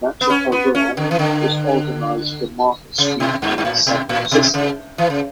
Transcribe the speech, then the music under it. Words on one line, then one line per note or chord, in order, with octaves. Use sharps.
Much of her work was organized from Market Street in San Francisco.
B3
C#4
B3
C#4
D3
E3
D3
C#3
B2
G2
G2
A2
B2
A2
B2
C#3
E3
C#3